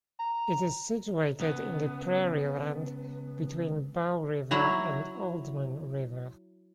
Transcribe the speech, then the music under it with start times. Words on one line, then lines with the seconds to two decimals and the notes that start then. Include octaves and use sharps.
It is situated in the prairie land between Bow River and Oldman River.
0.19 A#5
1.40 C#2 B3
4.51 F#3 E4 F#4 A#5